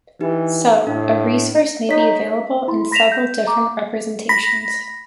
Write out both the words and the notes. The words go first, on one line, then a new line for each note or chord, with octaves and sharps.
So, a resource may be available in several different representations.
E3 D#4 G4
A2 D4
D#4 C#5 B6
E4 B5 C6
B5 A#6 B6 E7 F7
G6
A#5 D6
B5 A#6 B6